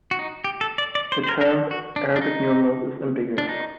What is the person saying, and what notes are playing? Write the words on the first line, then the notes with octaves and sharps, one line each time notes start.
The term "Arabic numerals" is ambiguous.
F#4
D#4
G4
A4
D5
D5
C5
C5
A#4
A#4
A4
F#4
D4
D4
D#4
D4
D#4